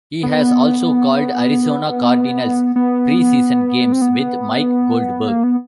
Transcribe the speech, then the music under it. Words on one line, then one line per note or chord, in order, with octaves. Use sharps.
He has also called Arizona Cardinals preseason games with Mike Goldberg.
B3
B3
C4
B3
A#3
B3